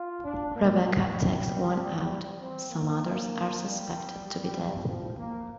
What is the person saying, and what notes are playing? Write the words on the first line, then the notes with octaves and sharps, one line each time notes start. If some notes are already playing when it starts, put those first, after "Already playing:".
Rebecca takes one out; some others are suspected to be dead.
Already playing: F4
D4
A#3
G3
C4
A#3
G3
F3
A#3